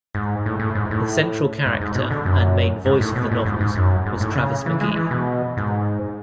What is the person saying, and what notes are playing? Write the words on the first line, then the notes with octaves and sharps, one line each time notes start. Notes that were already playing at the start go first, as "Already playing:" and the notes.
The central character and main voice of the novels was Travis McGee.
G#2
A2
A2
G#2
A2
G#2
G#2
B2
D3
F#2
G#2
A2
B2
A2
G#2
G#2
F#2
G#2
A2
C#3
E3
G#3
E3
B2
G#2